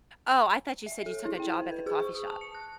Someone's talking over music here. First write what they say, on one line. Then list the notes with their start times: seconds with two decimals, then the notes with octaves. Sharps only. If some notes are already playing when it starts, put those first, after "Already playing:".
Oh, I thought you said you took a job at the coffee shop.
0.86 E5
1.06 A4
1.25 E4
1.40 G5
1.54 C5
1.72 B4
1.86 G#4
2.00 C#6
2.15 D#6
2.27 A5
2.41 C#7
2.55 F#6